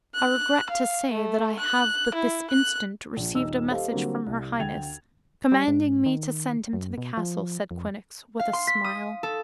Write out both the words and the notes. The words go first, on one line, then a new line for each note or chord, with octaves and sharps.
"I regret to say that I have but this instant received a message from her highness, commanding me to send him to the castle," said Quinnox, with a smile.
F#6
F5
A3
F#6
E4
F#6
A#1
D#1 D#4 D#5 E6
G4 A4 C5 D#5 F5
D3 F#3 G3 A#3 C4
C2
D2 G5 G#6 A6 F7
G3
G#2
D#3
F#2
B2
F3
F2
F5
C6
B6
D#6
A4